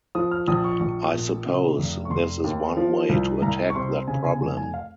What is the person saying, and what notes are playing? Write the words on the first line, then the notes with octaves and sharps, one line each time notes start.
I suppose this is one way to attack that problem.
F3 D#6
F6
A#1 D#6
C#6
A#1 C#6
A#2
C#3
F1
C#6
F1 C6
D#2
F3
C2
C2 A#5
C#6
C3 C6
C#3 G#5
G#5
F1 G#5
G#5
F5